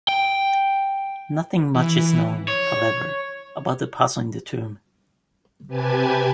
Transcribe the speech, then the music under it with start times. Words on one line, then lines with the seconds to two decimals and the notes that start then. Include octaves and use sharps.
Nothing much is known, however, about the person in the tomb.
0.08 G5
1.74 E3
2.48 C#5
5.67 C3 G4 B4 G#5 A5 G#6